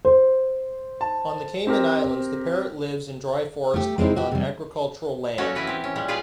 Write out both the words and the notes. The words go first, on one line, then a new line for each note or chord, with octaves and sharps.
On the Cayman Islands the parrot lives in dry forest and on agricultural land.
C5
A5
C4 G4 A#4
A3 G4
G#3 A#3 C4 D#4 E4
F#4 G4
C3 G3
F#3 A#3 C#4 F#4 A4 C#5
E3 C#4 E4 B4 C#5
C4 G4
C#4
A#2 G3 G#3
F4 G#4 B4 D5 F5 G5